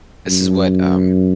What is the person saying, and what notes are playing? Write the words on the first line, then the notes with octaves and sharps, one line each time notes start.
this is what, um,
F#2